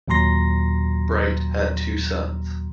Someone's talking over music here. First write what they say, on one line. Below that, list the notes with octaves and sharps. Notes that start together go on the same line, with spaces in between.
Bright had two sons.
D#2 A#2 F#3 A#5 C6 A#6